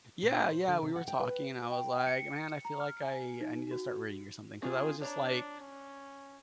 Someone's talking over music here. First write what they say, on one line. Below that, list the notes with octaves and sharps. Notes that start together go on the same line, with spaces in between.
Yeah, yeah, we were talking and I was like, "Man, I feel like I I need to start reading or something." 'Cause I was just, like
A#2
C5
D3
C3
F#5
G5
B4
G5
C#7
A#5
F6
G#5
D#4
F#4
C4 F4 G#4
D4 C#5 A#5
C#4